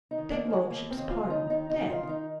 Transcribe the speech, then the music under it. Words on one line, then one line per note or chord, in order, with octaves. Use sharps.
"Begludship's pardon--dead."
D#4
D#3
A#3
D#2
G#3
D#2 A#3
C4
D#2
F4
D#2
D#4
D#3 D#4
D#4
D#3
F4
D#3
D#4